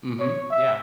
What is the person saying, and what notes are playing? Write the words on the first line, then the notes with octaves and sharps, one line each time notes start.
Mhm. Yeah.
C#5
E5